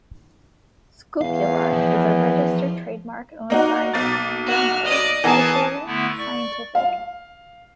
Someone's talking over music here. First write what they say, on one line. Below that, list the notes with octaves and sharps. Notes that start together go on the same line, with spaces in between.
"Scoopula" is a registered trademark owned by Thermo Fisher Scientific.
E2 F5
F3
A#3 D#4 F#4
B1 A#3 A6
F#4 F6
D5 D#5
E3 B3 G#4 A#4 A5
D3 A3 B3 E4
D5 C#6
F5